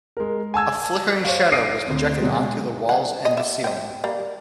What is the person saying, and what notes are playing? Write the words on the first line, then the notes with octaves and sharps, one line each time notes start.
A flickering shadow was projected onto the walls and the ceiling.
G#3 A#4
G#5 A5 E6 G#6
C5 C#5 F5
D6 D#6 A#6 C7 D7 D#7
D2 C4
B2 F#3 G#3
C#3 A#3 F#5
D#5
D5 E5
D#5 G5
G3 A#3